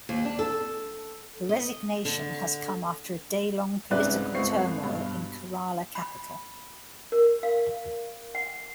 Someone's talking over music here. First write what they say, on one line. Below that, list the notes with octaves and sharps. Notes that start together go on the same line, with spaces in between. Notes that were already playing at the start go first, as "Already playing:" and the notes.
The resignation has come after a day long political turmoil in Kerala capital.
D#2
D4
A4
D#5
D3
C2 G#2 C#3 B4 D5 F#6
G1 C#2 B3 C4 C#6 C7
G2 B2
B5
A#4
F5
F#5